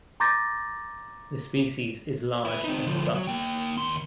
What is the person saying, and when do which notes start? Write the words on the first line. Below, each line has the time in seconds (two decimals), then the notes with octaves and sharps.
The species is large and robust.
0.20 A#5 C6 D6 G6 A6 A#6
2.45 E4 B4
2.64 C4 D#4
2.87 D3 F3
3.14 F#3
3.27 A#3 G5
3.77 D#2 C6